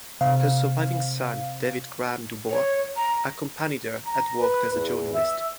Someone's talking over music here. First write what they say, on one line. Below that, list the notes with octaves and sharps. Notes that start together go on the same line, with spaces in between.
Her surviving son David Graham Du Bois accompanied her and worked as a journalist.
C3 F5
C#5
A#5
A#5
B4
E2
E5